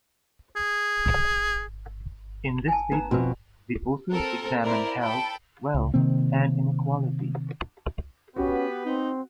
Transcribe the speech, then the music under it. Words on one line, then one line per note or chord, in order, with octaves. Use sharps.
In this paper, the authors examine health, wealth and inequality.
G#4
G#5 A5
B3 D#4 A#5
F2 B2 F#4 B4
C4 A4 A#4
E4 A#4 C5 D5
A4 G5 A5 B5
C#2
C3 D#3 A#3 C4
B3 C#4 F#4 G4 B4
C4 D#4